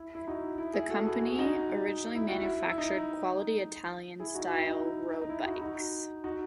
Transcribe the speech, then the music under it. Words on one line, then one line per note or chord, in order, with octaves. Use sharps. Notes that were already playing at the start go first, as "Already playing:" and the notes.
The company originally manufactured quality Italian style road bikes.
Already playing: E4
E4
D#4 F#4
E4
E4 G#4
F#4 A4
E4 G#4
F#4
G#4
D#4 F#4
E4
F#4
E4
E4
D#4
E4 G#4
D#4 F#4
F#4
E4
D#4
D#4
E4
D#4 F#4
E4
D#4 F#4
D#4 F#4